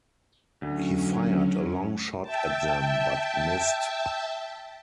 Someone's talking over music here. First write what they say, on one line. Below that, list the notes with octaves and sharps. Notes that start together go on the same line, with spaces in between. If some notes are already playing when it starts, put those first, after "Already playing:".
He fired a long shot at them but missed.
D2 F#3 C#4
E5 G5 A5